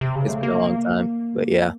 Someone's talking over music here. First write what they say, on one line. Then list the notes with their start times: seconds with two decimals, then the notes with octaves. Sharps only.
it's been a long time, but yeah.
0.01 C3
0.15 C#3
0.29 A3
0.43 A#3